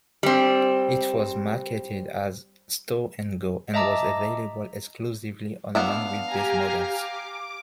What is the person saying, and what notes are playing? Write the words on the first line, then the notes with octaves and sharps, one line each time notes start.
It was marketed as "Stow 'N Go" and was available exclusively on long-wheelbase models.
G3 C4
D#5 E5 A5 A#5 D6
B3 D4 E5 F5
G4 G#5 A#5
D6